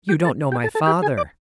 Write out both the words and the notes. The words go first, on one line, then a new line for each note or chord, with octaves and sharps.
"You don't know my father."
G4 G5
A4 A5
G4 G5
A4 A5
A4 A5
G4 G5
G#4 G#5
D5 D6